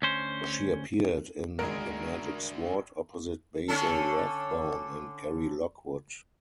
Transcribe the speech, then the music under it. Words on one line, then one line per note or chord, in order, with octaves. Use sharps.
She appeared in The Magic Sword opposite Basil Rathbone and Gary Lockwood.
D2 C#4 C5
G#1 G#3 D4 F#4 A#4
D3 C#4 A4